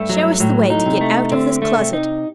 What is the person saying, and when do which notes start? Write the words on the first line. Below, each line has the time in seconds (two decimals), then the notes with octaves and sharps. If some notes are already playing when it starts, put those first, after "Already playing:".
Show us the way to get out of this closet.
Already playing: G2 A3
0.10 F#3
0.40 A2 F#3
0.70 D#4
0.86 C3
1.01 A3
1.31 D3 C4
1.62 A3
1.77 C3
1.93 D#4